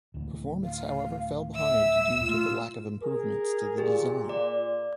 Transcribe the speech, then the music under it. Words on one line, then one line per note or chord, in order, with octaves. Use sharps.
Performance, however, fell behind due to the lack of improvements to the design.
D1 D2 E3
F5
E5 E6
A#2 A3 F4
G#4 A#4
A#2 G4 G#4
D5